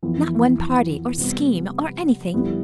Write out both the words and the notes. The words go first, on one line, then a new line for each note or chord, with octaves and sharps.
Not one party, or scheme, or anything.
F2 E3 B3 E4
C3 G3 B3
F2 D3 G3 B3 E4